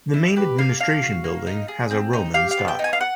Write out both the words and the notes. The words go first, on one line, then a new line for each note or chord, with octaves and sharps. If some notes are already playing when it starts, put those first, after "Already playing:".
The main administration building has a Roman style.
E4
G4 B4
A#3 F5
D4 F5
F#4
A#3
D#4
G#4
C4
D#4
G4 F5
F5
B3
G5
D#4
G#5
F5
F#5